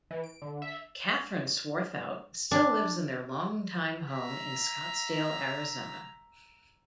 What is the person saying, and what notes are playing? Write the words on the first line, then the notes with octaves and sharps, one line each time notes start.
Kathryn Swarthout still lives in their longtime home in Scottsdale, Arizona.
E3
D7
D3
E5
D4
E5 A#5